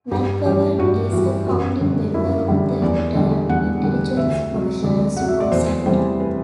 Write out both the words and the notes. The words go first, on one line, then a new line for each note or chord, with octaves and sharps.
McGovern is a founding member of the Veteran Intelligence Professionals for Sanity.
G2 G4
E3 G3 G4
G2 F#4
E3 G3 F#4
F#2 F#4
D3 G3
F#2 E4
D3 G3
E2 D5
D3 G3
E2 F#5
D3 G3
D2 E5
C3 F#3
D2 D5
C3 F#3 F#5
E5
D5
E2 C5
C3 E3 G3 C5
B4